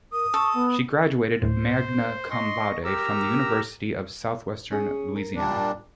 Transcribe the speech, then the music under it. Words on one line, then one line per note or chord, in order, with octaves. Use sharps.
She graduated magna cum laude from the University of Southwestern Louisiana.
A#4 D#6
A4 C#6
B3
D2 A2 C5
D#5 C6 C#6
G4 A#4 A#5 E6
C#4 G#4
A#4
A#2 G3 D4